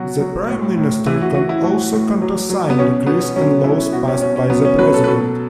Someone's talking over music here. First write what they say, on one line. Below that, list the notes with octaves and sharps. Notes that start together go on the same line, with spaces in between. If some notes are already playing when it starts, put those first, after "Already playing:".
The prime minister can also countersign decrees and laws passed by the president.
Already playing: B2 F#3 F#4
F#3
A2
A2
E3 E4
F#4
E3 F#4
E4
A2 F#4
A2
F#3
F#3
B3
B2 C#4
B2 B3
C#4
F#3 C#4
F#3 E4
B2 F#4
C#4
B2 C#4
C#4
F#3 B3
C#4
F#3 B4
A4
B4
B2 A4